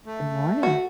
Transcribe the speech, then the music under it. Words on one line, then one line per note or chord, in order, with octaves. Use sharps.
Good morning.
A3
F#4